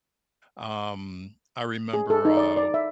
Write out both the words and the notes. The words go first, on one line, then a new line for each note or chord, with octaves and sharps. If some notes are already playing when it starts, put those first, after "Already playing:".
Um, I remember, uh,
G#4
A4
D#4
D5
D5
E5